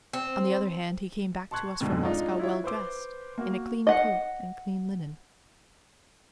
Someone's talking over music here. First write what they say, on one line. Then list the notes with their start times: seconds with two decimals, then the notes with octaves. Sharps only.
On the other hand, he came back to us from Moscow well dressed, in a clean coat and clean linen.
0.13 C4
1.51 A5 C6 C#6 F#6 G#6
1.81 F2 G#2 B2 D3
2.05 G#3 D4 D#4 F4
2.39 E4 F4 C#5
2.64 B4 C5 D6
3.38 A#3 F#4
3.87 D#5 F#5